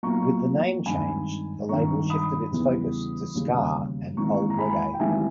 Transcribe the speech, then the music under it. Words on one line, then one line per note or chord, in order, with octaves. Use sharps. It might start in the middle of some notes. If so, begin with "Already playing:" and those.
With the name change, the label shifted its focus to ska and old reggae.
B1 A#2 A#3 A#5 C#6
G#1 G2 D#3 G#5 B5
G#1 G2 D#3 A#5 C#6
B5 D#6
E2 C#3 G3 B3 E4
E1 D#2 C#3 G3
G#1 G#2 E3 A#3 E4 A#5 C#6
A#5
G#5 B5
G5
G#1 G#2 E3 G3 E5 G#5